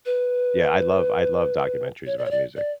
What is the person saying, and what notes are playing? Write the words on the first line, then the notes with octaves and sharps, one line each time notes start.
Yeah, I love I love documentaries about music.
B4
C#5
D5
C#5
D5
D5